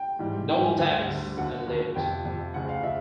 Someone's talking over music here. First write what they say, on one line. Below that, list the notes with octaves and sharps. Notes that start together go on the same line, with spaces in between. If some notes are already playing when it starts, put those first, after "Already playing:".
Noel Davis and Lieut.
Already playing: G5
G#2 E3 G3
G#2 E3 G3 G5
G#5
D2 D3 G3 G#5
D2 D3 G3
D#2 D3 F#3 F#5
D#2 D3 F#3
F2 C3 F3 G5
F2 C3 F3
D2 C#3 F3 F#5
F5
C#3 F3 E5